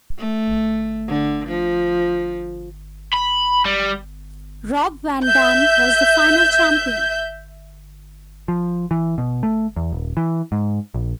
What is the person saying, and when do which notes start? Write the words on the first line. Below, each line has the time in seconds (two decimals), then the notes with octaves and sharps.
Rob Van Dam was the final champion.
0.18 A3
1.08 D3
1.48 F3
3.13 B5
3.65 G3
5.25 E5 G6
8.48 F3
8.91 E3
9.18 B2
9.43 A3
9.76 E2
9.92 D#1
10.17 E3
10.52 G#2
10.94 A#1